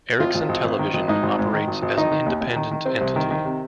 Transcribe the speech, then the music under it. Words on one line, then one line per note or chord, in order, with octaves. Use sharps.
Ericsson Television operates as an independent entity.
G#1 F4
G#1
G#1
G#1
D#3
G#1
G#2 D#4
G#1
G#2
D#3
G#1
G#1
D#3 D#4
D#3
D#2
D#2
D#3
D#3
C3 C4
C2
D#3
D#3
C3